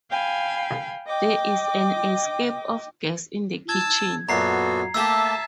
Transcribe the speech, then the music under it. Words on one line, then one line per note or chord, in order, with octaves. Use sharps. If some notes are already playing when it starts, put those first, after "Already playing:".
There is an escape of gas in the kitchen.
F5 G5 G#5 B5
D#5 G5 D6
A5 E6 G#6
F#2 A#2 B3 F#4 A4 A#5 C7
A3 A#3 G4 E5 A5 E6